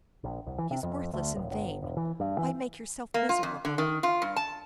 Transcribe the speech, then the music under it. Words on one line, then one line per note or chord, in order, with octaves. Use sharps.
"She is worthless and vain; why make yourself miserable?"
A#1
C2
E3
C3
F2
D2
D#1
G1
E1
E3
G2
E3
A#3
F4
F2
D3
D#3
F4
G2
A5